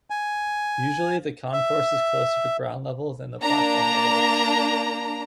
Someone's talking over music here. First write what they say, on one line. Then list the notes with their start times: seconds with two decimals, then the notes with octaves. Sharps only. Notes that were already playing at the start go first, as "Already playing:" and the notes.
Usually, the concourse is closer to ground level than the platform level is.
0.10 G#5
1.53 E5
3.42 A#3 D4 A#5